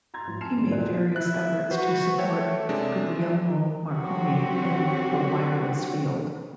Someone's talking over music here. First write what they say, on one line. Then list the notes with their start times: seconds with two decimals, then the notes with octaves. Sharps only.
He made various efforts to support Guglielmo Marconi in the wireless field.
0.14 A#5 C6 G#6 A6
0.27 A1 F3 F#3
0.41 G#5 A5 C6 F6 C7 E7
0.57 G#2 D3 E3 G3 C4
0.71 D#1 E2 B2 C5 D5 F#6
1.16 E4 F#6
1.71 F#4 B4 C5
2.18 A3 A4 C#5 G5
2.69 C3 G#3 D4
3.90 D3 F#3 C4 F#4 G4